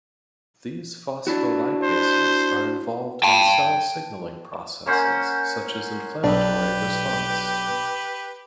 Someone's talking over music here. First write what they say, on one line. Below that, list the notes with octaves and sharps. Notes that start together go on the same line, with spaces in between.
These phospholipases are involved in cell signaling processes, such as inflammatory response.
D4 E4 F#4
C5
G5 A5
A#3 C#4 C5 F#5
B1 D4 G4 B4